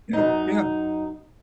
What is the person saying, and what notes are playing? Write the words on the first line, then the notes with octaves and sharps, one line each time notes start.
Yeah, yeah.
F#2 D#4